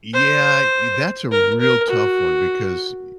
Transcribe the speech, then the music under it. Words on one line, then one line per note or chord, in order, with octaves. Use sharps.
Yeah. E that's a real tough one because e
C5
A#4
A#4
F#4